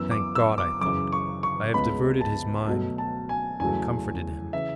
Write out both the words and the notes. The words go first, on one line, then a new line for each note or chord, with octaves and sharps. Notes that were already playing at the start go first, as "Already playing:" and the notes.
Thank God, I thought, I have diverted his mind and comforted him.
Already playing: F#2 E3 B3 E6
D6
E6
D6
F#2 C#3 E3 D6
C#6
C#6
C#2 C#3 G#3 B3 B5
A5
B2 F#3 A3
A5
G#5
E2 C#3 F#3 A3 G#5
C#3 E3 E5